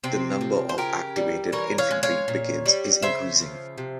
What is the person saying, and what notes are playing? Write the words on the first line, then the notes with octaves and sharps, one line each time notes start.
The number of activated infantry brigades is increasing.
C3 C4
F3
C5
C#3 G4 A#4
G3
E3 A#4 C#5
C#5 F5
G#3
C#5 F5
A#2
G3
C#3 C5 E5
F3
C3